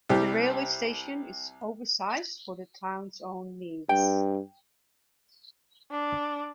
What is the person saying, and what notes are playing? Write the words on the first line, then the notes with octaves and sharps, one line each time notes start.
The railway station is oversized for the town's own needs.
C2 G3 G4
G2 G5
D4